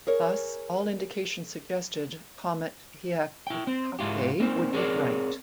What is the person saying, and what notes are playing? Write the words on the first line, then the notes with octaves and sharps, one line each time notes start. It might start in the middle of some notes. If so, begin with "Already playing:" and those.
Thus, all indications suggested Comet Hyakutake would be bright.
G#4 A#4 C#5
E4 G5
C4
G#2 E4 F4 G4
A#3 C4 D#4
C4 G#4 A#4 C#5 D5